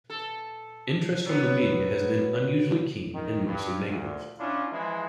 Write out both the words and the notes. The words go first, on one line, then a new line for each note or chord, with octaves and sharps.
Interest from the media has been unusually keen, and mostly negative.
A4
F#3 B3
D#3
G2
D2 A#2
C#4 D4 E4 F4
E3 F3 G#3 E4